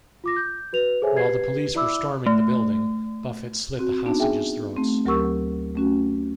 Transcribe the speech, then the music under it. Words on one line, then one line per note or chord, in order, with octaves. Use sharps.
While the police were storming the building, Buffet slit the hostages' throats.
F4 D6 A#6
G6
F#4 B4 F7
G#4 A4 C5 C#5 E5 G#5
G4 B4 G#6 C7
E4 D5 E5 B5 D6 E6
A3
C4 F#4
B3 D4 D#4 F#4 A5
G#4 E5 G5 G#5
A3 C4
D2 F#3 G4 A#4 C#6 E6
A3 C#4 F#4